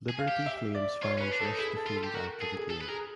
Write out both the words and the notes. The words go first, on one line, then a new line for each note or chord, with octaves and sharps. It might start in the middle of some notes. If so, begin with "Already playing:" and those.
Liberty Flames fans rushed the field after the game.
G#4
F5
G4
E5
D5
F4 C#5
C#4 B4
D4
D#4 A4
E4 G#4
A4
F4
A4
G4
F#4 A#4
G#4 A4
G#4
G#4 A4
B4
G#4 A#4